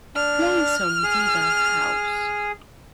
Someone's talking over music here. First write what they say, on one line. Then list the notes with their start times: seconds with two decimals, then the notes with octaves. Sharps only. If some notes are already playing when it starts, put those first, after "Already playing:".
Play some diva house.
0.15 D4 F6
1.03 G#4